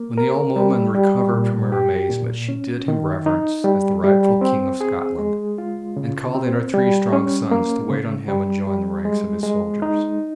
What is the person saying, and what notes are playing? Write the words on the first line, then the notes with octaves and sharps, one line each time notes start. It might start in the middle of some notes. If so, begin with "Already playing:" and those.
When the old woman recovered from her amazement she did him reverence as the rightful King of Scotland and called in her three strong sons to wait on him and join the ranks of his soldiers.
Already playing: A#3
A#4
G3
G3
A#2
G4
A#2
C#4
D#3
D#4
G3
G3
C4
G#4
G#3
F4
C#3
C4
G3
C#4
A#3
C#3
G3
G3
G#3
G#3
D#4